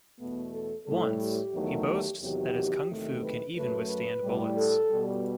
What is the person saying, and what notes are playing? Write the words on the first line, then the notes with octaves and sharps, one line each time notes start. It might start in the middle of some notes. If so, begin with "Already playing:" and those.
Once, he boasts that his Kung-Fu can even withstand bullets.
E2 B2 A3 B3
A4
A2 G3 A4
G4
E2 D#3 F#3 A3
G4
E2 C3 D#3 F#3 G4
E2 C3 D#3 F#3 A3
B4
F#2 F#3 A3 B4
B4
A2 G3
A4
B2 G3